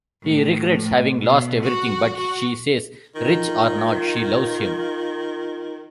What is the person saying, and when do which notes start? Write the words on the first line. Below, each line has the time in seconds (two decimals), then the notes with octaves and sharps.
He regrets having lost everything, but she says, rich or not, she loves him.
0.23 A2
1.20 B2
1.63 F#4
2.16 F#4
3.15 D#3 F4